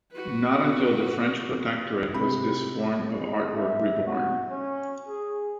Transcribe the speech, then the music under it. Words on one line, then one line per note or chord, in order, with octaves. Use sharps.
Not until the French protectorate was this form of artwork reborn.
F#4 B4
C3 B5
G#3
E5
F#4
C#4
G#4